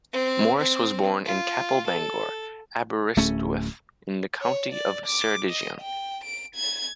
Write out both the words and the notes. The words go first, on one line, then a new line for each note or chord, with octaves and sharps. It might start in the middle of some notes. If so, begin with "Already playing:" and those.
Morris was born in Capel Bangor, Aberystwyth in the County of Ceredigion.
C4
C4
F4
A4
D1 A3 C#4
C#5
D5
D6
D#5
G5
D7
G#6